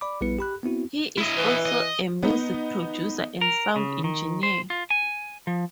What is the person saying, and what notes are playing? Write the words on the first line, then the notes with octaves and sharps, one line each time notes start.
He is also a music producer and sound engineer.
D5 B5 D6
A#1 G3 B3 E4 B4 C#7
G4 B5 F#6
B3 C4 E4 F#4
E4 D#5
E3
D#5
B3 D#4
A#4
C#3
D#3
C5
F4
G#5
F3